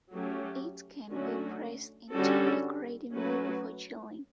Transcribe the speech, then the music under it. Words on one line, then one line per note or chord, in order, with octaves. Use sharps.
It can be pressed into a decorative mold before chilling.
F#3 A3 C#4 G4
D3 F#3 A3 C#4 F#4
D3 G3 C#4 F#4 A4
F#3 A3 C#4 F#4 B4